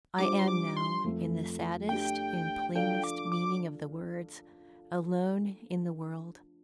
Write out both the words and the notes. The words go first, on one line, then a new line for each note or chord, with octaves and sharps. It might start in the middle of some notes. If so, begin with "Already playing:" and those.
I am now, in the saddest and plainest meaning of the words, alone in the world.
G3 D4 F4 C5 D6
C6
D6
C6
F2 F3 A3
A3 D4 G4 G5
F3 D4 A4 D5 F5 G5
D6
D6